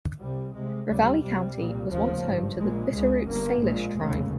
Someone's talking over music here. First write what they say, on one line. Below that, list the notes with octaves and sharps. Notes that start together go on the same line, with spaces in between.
Ravalli County was once home to the Bitterroot Salish tribe.
C2 C3 G3
C2 C3 G#3
F1 D#2 C#3 G3
C2 C3 G3
C2 A#2
F1 D#2 C#3 F3
G#1 G2
A#1 A#2 G#3
C#2 C#3 G#3
G1 G2 A#3
A#1 A#2 G#3
F1 D#2 C#3